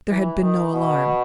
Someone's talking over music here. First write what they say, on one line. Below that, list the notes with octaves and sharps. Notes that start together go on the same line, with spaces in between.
There had been no alarm.
E3
D#3
B2